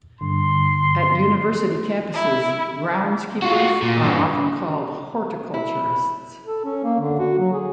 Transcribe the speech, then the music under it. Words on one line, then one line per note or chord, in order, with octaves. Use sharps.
At university campuses, groundskeepers are often called horticulturists.
G2 D3 C6
E4
F4 F#4
A#2
G2 E3
E4
A4
C#4
A#3
D3
F#4
F#3
G#4